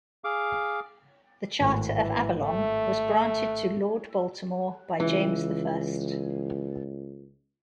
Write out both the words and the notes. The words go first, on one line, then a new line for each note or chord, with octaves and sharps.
The Charter of Avalon was granted to Lord Baltimore by James the First.
G#4 F5 D6
G#1 A2
E3
A3
C#2 E3